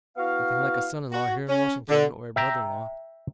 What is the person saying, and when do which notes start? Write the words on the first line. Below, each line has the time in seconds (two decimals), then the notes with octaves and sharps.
Nothing like a son-in-law here in Washington or a brother-in-law. . . .
0.17 B3 E4 F#4 F5
1.11 F#4
1.48 C#4
1.88 D3
2.36 E5 G5 A#5